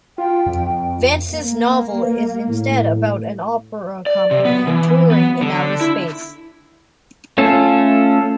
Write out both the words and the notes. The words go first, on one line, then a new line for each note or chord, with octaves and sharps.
Vance's novel is instead about an opera company touring in outer space.
F4 G5
F2
A#3
A2
D5
C3
B3
E3
B3
D3
E4
A3 C#4 F4 A4